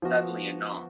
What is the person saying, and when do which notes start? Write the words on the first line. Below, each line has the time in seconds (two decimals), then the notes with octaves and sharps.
Suddenly, a knock.
0.02 F3 B3 F#4